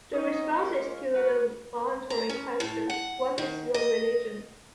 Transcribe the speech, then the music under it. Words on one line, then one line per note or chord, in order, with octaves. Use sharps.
The responses to the voluntary question What is your religion?
C4 C#4 D#4
G#3 A#3 C#4 F4
F#4 A#4 B4 F#5
A#5
C#4
A2
F#5
D#3
D#5